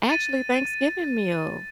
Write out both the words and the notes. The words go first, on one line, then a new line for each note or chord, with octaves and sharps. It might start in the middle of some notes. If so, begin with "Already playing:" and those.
Actually, Thanksgiving meals,
A6 D#7